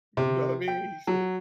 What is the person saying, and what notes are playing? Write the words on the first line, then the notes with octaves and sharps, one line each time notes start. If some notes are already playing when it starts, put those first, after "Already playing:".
you know what I mean, he said
C3
G5
F#3